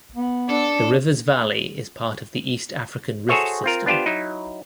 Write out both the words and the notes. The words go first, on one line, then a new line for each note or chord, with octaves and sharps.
The river's valley is part of the East African Rift system.
B3
D4 A4
F#4 G#4 A4 C5 C#5 E5
C4 F4 A#4
B3 D4 F4 G4 C5
F#3 D#4 E4